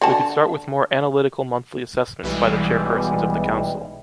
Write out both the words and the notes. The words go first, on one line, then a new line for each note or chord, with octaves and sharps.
We could start with more analytical monthly assessments by the chairpersons of the Council.
D3 F#4 A5
B1 B2 E3 G3 G#3